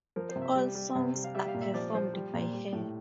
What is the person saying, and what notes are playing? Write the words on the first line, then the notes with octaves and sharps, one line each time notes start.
All songs are performed by her.
F3 A#4
C5
C3
E5
G3
G3
C3
G3
F5
G3 E5
F5
A#2
E5
F3 D5
F3 C5
G3
A#2
G3
A2